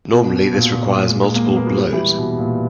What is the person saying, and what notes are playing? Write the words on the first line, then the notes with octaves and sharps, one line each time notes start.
Normally, this requires multiple blows.
B2
B2
A#2
A#2
A#2
G#3
G#3
A#3
B3
A#3
G#3
G3
E3
G3
B2
A#2